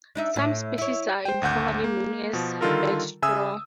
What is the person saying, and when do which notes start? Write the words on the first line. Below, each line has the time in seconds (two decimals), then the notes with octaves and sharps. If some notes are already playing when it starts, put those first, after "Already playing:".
Some species are informally known as bedstraw.
0.15 D4 D#4 E5
0.36 A2
0.78 E4 C#5
1.25 C5 G5
1.42 G#1 D2 F#5 G6
1.84 A#3
2.33 B2 F3
2.61 D3 D#3 G3 F4 A4 A#4
3.22 C#3 E5 G#5 D#6 E6